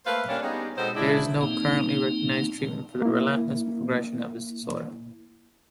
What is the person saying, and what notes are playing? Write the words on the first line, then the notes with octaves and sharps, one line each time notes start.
There is no currently recognized treatment for the relentless progression of this disorder.
A3 A#3 B4 C5 F5
G3 A#3 C#4 D4
G3 B3 C#4 D#4 G4 G#4
B2 G#3 C4 D#4 A4 C5
C#3 G#3 D4 E4
A#3 C4 D#4
A#3 E4